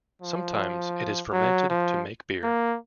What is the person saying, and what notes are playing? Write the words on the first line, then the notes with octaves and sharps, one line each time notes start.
Sometimes it is fermented to make beer.
F3
F#3
F3
A#3